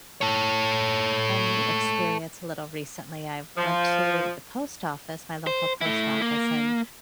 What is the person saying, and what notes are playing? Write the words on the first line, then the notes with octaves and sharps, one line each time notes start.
funny experience a little recently, I went to the post office, my local post office, and
A4 C#5
F3
C5
A3 E4
A#3